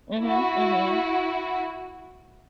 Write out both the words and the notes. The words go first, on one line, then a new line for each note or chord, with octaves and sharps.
Mhm, mhm.
E4 F#4